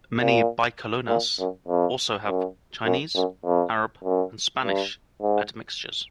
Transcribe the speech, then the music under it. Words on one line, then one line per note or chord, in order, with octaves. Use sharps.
Many Bicolanos also have Chinese, Arab, and Spanish admixtures.
A#2
A#2
F#2
F2
F#2
F#2
F#2
F2
F#2
G2
G#2